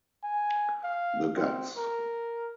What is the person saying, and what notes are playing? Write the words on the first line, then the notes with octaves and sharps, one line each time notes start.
The Guts!
G#5
F5
C4
A#4